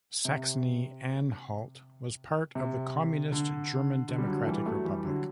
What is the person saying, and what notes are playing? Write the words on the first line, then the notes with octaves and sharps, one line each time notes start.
Saxony-Anhalt was part of the communist German Democratic Republic.
C3
C3
D3
D3
G3
D3 F#3
A3
E3 G3
F#3 A3
E3 G3
D3 F#3